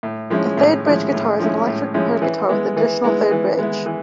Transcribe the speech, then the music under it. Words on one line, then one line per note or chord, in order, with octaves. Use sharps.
The third-bridge guitar is an electric prepared guitar with an additional, third bridge.
A2
F3 G#3 C#4 E4
A2
F3 G#3 C#4 E4
A2
F3 G#3 C#4 E4
A2
F3 G#3 C#4 E4
E3
G#3 B3 E4
E3
G#3 B3 E4
E3
G#3 B3 E4
E3